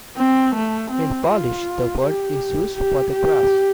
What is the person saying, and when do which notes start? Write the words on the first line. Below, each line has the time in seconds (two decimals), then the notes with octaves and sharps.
In Polish, the word is used for the grass.
0.17 C4
0.55 A3
0.91 C4
1.29 F4
2.01 G4
2.75 G4
3.12 G4